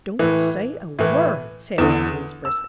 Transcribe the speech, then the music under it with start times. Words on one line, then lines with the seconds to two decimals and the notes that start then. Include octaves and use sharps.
"Don't say a word," said aunt Louise, briskly.
0.19 A2 E3
0.99 A2 E3
1.78 E2 D3
2.45 E6